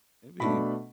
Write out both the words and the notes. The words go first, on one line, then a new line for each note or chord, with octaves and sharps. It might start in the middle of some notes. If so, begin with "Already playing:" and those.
It'd be
B2 A3 D4 B5